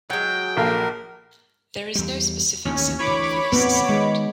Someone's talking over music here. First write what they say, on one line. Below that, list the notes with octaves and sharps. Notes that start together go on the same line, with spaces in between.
There is no specific symbol for this sound.
F#3 G#3 G5
A#1 A4 A#4 F5
E2 G3
A1 D#2 D#3 C#4
D2 E3 C#5 B5 D6
E2 A2 B3 C4
D#3 G#3